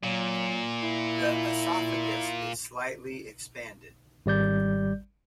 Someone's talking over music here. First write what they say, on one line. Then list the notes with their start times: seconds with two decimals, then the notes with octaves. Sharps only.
The esophagus is slightly expanded.
0.03 A#2 F#3
0.83 E4
4.26 G#1 G3 D5 G6